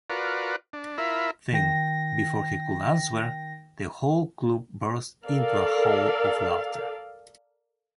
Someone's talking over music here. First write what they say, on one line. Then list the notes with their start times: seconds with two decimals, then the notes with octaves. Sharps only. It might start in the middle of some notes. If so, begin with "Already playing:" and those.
Then, before he could answer, the whole club burst into a howl of laughter.
0.10 F4 F#4 A#4 B4 D5
0.73 D4
0.98 E4 F4 A#4 E5 B5
1.53 D#3 G5 A#6
5.25 A4 A#4 D5 F5